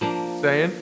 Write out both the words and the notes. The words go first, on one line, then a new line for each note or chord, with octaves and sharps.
Just saying.
F3 A#3 D4